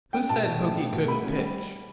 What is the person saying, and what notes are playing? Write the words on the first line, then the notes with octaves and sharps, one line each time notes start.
Who said Hooky couldn't pitch?
C#4 G5
B2 A5
B2
A3
B2
B2
A3 B5
C#4
G3